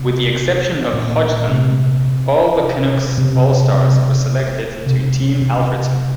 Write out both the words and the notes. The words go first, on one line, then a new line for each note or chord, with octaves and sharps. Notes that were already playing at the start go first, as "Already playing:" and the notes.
With the exception of Hodgson, all the Canucks All-Stars were selected to Team Alfredsson.
Already playing: C3
A#2
C3
C3
C3
C3
C3